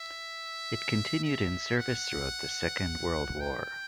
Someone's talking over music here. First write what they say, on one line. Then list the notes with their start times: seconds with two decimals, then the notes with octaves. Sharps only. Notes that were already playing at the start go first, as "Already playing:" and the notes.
It continued in service throughout the Second World War.
Already playing: E5
1.24 E5
1.78 F#5
3.40 G5